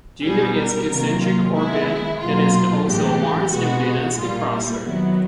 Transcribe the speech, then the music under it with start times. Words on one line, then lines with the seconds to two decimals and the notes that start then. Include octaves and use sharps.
Due to its eccentric orbit, it is also a Mars and Venus-crosser.
0.23 B2 G3 B3 G#4
0.57 A#4
0.89 C3 D#3 F#3 A#3
1.22 F4
1.55 D#3 G#3 B3 E4
2.20 B2 F#3 A#3 F4
2.86 A2 E3 G#3 B3 G4
3.51 B2 G#3 B3 F#4
4.17 A#2 G3 A#3 F4
4.50 E4
4.83 D#3 F#3 B3